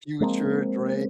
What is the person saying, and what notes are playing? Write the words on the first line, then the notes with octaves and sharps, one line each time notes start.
Future, Drake.
F3 G#3 A#3 C4